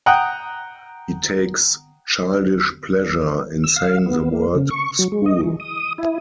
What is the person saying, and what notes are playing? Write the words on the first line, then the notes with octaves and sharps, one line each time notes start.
He takes childish pleasure in saying the word 'spool'.
F#5 G5 A#5 D#6 F#6
E6
F5
B3
A#3
C#3
C#6
F#3
G#3
D#5
E3
D#6
E4